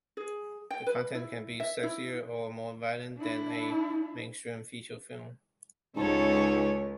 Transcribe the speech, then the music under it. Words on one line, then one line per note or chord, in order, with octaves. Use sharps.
The content can be sexier or more violent than a mainstream feature film.
G#4
G5
B4
E4
E5
E4
D4 E4
C#2 G#2 A4 C#5